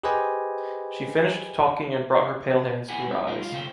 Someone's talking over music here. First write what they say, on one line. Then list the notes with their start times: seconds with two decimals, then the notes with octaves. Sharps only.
She finished talking and brought her pale hands to her eyes.
0.04 G4 G#4 B4 C5 D#5 G#5
2.89 A#3 C4 E4 G4 F#5 G#5
3.07 G3 C#4 E4
3.27 A3 A#3 D#4 F4 A#4
3.40 G3 F4 F5
3.52 C#3 A3 A#3 F4 C5 G5